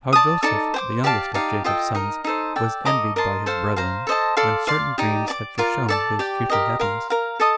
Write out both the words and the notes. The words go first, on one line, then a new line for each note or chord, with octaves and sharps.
How Joseph, The Youngest Of Jacob's Sons, Was Envied By His Brethren, When Certain Dreams Had Foreshown His Future Happiness.
D5 A5 D#6
D#4 A4 D5 A5
C5 G5 D6
G4 D5 F5 A5
D#4 G4 D5 F5
F4 A4 D#5 G5
D#4 A#4 D#5
D#4 A4 C5
A4 D5 G5
A4 D#5 A#5 D6
A#4 D#5 A5 C6
A4 C5 F5
C5 F5 A#5
A4 C5 D#5 A5
A4 D5 F5 C6
D5 F5 C6
D#4 G4 D5
D5 A5 D6
F4 A#4 D5
A4 D5 A5
G4 D5 G5
G4 A#4 D#5
A#4 F5 C6
A#4 F5 A#5
A4 D#5 A5 D#6